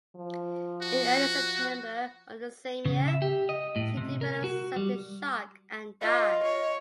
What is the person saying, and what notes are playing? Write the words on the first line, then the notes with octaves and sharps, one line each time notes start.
In early September of the same year, she developed septic shock and died.
F3
F#4
C#3
E5
G4
D#5
A2
C3
A#4
F#4
G3
F4 D#5
C#5